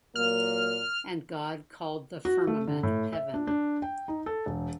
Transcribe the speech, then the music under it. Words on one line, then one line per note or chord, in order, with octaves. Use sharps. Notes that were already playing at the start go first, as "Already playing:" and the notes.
And God called the firmament Heaven.
A#2 F#3 A#3 F6
F#4
A3
D3
A2
E5
D4
D4
G5
D#4
A4
E1